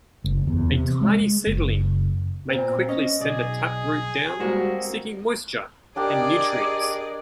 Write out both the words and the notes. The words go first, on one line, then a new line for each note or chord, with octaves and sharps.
A tiny seedling may quickly send a taproot down seeking moisture and nutrients.
F#1
E2
C3
G#3
F#1
A#2 C4
C#4 D#5
B1 G#4 D5
F3 G3 G#3 A#3 C4 F#4
D4 G4 G#4 A#4 D5 D#5 D6